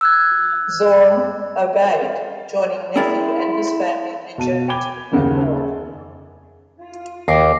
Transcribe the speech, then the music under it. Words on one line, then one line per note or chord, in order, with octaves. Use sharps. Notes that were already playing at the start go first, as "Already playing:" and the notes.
Zoram obeyed, joining Nephi and his family in their journey to the New World.
E6 F#6 G#6
C4 D4 E4 G#4 A#4 D5
B2 A5 D#7
G5 G#5 B5 D6 G#6 G7
F#1 D#2 C#3 F#5
G#4
D#2 D6 A#6 C7